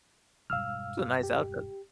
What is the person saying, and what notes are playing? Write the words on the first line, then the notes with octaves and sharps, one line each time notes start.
It's a nice outfit.
E1 G2 F5 E6 F6
G4